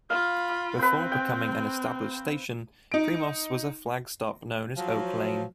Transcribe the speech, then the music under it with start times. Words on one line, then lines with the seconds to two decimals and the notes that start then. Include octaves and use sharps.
Before becoming an established station, Primos was a flag stop known as Oak Lane.
0.10 F4 F5 B5
0.79 C4 B4 C5
1.12 G5
2.92 D#4 D7
4.77 F3 F#3